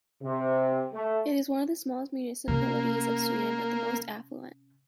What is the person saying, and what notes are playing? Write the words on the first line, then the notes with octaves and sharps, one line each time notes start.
It is one of the smallest municipalities of Sweden, but the most affluent.
C3
A3
C3 A#3 C#4